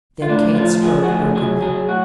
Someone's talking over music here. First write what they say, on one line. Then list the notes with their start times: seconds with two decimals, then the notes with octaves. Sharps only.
Then Kate spoke brokenly.
0.22 F4
0.29 A2 D4
0.55 F3 F4
0.82 F3 G#4
1.04 F#4
1.08 A2 G#4
1.35 F#3 G#4
1.62 F#3 G#4
1.89 A2 F#4